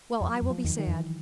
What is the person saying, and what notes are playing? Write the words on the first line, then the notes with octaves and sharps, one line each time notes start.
"Well, I will be sad."
F2 F3
F#3
F2
F3
E2 D#3
D#3
F2
E3